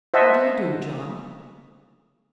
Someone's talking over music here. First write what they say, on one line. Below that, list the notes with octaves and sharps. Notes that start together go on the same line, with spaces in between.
"How do you do, John?"
C5 D#5 E5 F#5 A5 C6